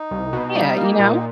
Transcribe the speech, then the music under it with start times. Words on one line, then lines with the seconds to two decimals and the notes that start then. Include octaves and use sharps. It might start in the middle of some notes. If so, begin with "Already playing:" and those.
Yeah, you know?
Already playing: D#4
0.11 C2
0.33 B2
0.55 G3
0.78 A#3
0.99 A#2